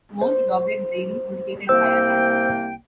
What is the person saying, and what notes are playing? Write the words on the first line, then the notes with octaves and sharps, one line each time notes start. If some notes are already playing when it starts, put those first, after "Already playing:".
More elaborate braiding indicated higher rank.
C5
C2 A#3 C5 G5 E6